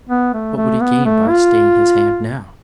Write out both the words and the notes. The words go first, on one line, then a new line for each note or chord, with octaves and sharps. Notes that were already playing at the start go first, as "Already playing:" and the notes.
What would he gain by staying his hand now?
B3
A3
A3
B3
A3
F4